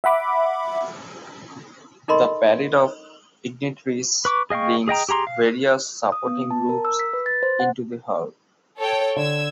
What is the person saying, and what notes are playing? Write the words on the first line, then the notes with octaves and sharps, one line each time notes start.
The "Parade of Ignitaries" brings various supporting groups into the hall.
E5 F#5 B5 D6
D#4 A4 A#4 D#5 B5 C6
B4 C#6 D6
G#4 D#5 F5 G5 C#6
G#4 D#5 G5 A#5
G4 G#4 A#5 C6
F5
D#6
B3
A5
A#4
E6
B6
B4
A6
C5
F#5
A4 C#5 G5
D3 E6 G#6